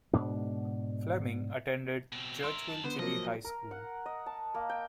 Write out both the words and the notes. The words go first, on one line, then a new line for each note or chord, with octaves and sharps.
Fleming attended Churchville-Chili High School.
G#2 B2 D4
B2 C4
A#4 E5 C6 D7
F#2 A5
D3 B3 C5
F3 F#3 A#3 D#5
A#4
F#5
D#5
A5
A#3
G5